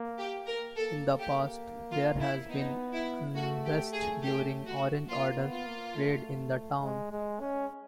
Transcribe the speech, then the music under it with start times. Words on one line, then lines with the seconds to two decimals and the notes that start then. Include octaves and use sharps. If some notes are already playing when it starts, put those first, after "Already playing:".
In the past, there has been unrest during Orange Order parades in the town.
Already playing: A#3
0.18 G4
0.46 A#4
0.75 A#3 A4
1.19 G4
1.91 F4
2.20 E4
2.49 B3 D#4
2.93 E4
3.35 A3 F#4
3.65 G4
3.93 G#4
4.22 G4
4.65 F#4
5.09 A#3 F4
5.38 B3
5.52 F4
5.67 A#3
5.95 A3
6.81 G#3
7.11 G#3
7.40 C#4